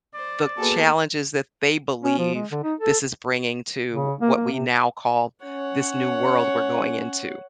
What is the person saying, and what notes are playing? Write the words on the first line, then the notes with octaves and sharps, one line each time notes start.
the challenges that they believe this is bringing to what we now call this new world we're going into.
C5 D5
A#3 B3 F#4 G#4 A4 B4
C#4
F3
G#3
D3
D#4
A4
C#3
A#3
A#3
C3
C#4 C#5 F#5